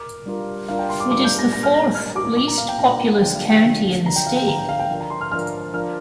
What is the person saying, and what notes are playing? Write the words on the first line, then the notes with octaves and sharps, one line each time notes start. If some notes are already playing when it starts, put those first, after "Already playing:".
It is the fourth least populous county in the state.
Already playing: A#4 D6
G3 D4 F4 A#4
G3 D4 F4 A#4 F5
G5
C6
D6
G3 D4 F4 A#4 D6
G6
A#6
A#2 A#3 D4 A#6
F6
A#6
A#2 A#3 D4 F6
D6
A#2 A#3 D4 D6
A#5
F5
G5
A#2 A#3 D4 A#5
D3 F3 D4 G5
F5
G5
D3 F3 D4
D3 F3 D4 A#5
G5
F5
G5
D3 F3 D4 A#5
G5
F5
G5
F3 D4 F4 A#4
A#5
C6
F6
F3 D4 F4 A#4 F6
F3 D4 F4 A#4 F6